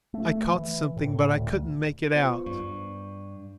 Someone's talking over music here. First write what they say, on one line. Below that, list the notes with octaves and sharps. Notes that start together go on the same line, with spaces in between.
I caught something, but I couldn't make it out.
A3
E3
A2
D2
B3 F4 C5
C#6
G2